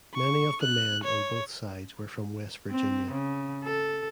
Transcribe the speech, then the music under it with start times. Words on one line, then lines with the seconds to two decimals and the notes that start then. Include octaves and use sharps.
Many of the men on both sides were from West Virginia.
0.15 C#6
0.62 F#6
1.04 C#5
2.70 C4
3.12 C#3
3.64 A4